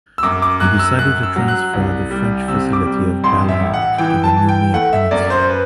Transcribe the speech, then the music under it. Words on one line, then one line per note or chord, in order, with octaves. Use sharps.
He decided to transfer the French facility of Balade to the Noumea peninsula.
E6
F#2 D6
D6
F#2 F#6
E6
F#2 F#6
E6
F#3
F#6
C2
G3
C3 E6
D6
G3
A1 C6
E5
A1
F#5
E3 G5
A5
E3
G5
A3 F#5
E5
F#2 D5
C5
B4